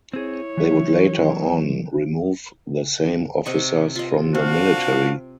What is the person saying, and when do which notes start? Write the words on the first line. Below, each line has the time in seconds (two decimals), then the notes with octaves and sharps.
They would later on remove the same officers from the military.
0.13 C4 E4 G#4 C#5
0.57 E3 F#3 E5
3.46 C3 D#5 C#6
3.96 F4 D#5
4.35 C4 D4 F#4 F5